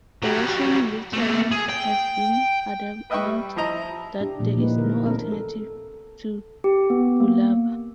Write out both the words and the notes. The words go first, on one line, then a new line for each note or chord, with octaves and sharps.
The Russian military has been adamant that there is no alternative to Bulava.
F#3 G3
A3 A#3
G#4
G5
B4 D#5 E5 G5 B5 C#6
G3
F3 E4 D#5 A#5
D4 G4
A#2 E3 F3 A3
E3 A#3 D#4 B4
D3 A#4
A3 C4 D4 E4 A4 A#4
A4
G4
B3
A#3